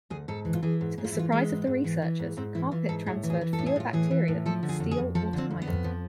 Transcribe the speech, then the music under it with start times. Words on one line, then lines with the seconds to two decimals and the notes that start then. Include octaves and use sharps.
To the surprise of the researchers, carpet transferred fewer bacteria than steel or tile.
0.10 D2 G#4
0.28 G#2 A4
0.45 E3
0.54 F4
0.63 E3 G#4
0.81 G#2
0.98 G#2 G#4
1.04 F4
1.12 E4
1.15 E3 F4
1.32 E3 G#3
1.50 G#2
1.67 G#2
1.84 E3
2.02 E3
2.19 G#2
2.37 G#2 C4
2.55 E3 E4
2.71 E3 F4
2.89 G#2 A4
3.06 A2 G#4
3.23 E3
3.30 G#4
3.41 E3
3.53 A4
3.59 A2
3.66 G#4
3.76 A2 F4
3.93 E3 G#4
4.11 E3
4.28 A2
4.46 F3 A4
4.63 D3
4.69 G#4
4.80 F2
4.91 G#4
4.97 F2
5.15 F3 A4
5.33 D3 C4
5.51 F2
5.62 B3
5.67 F2
5.84 F3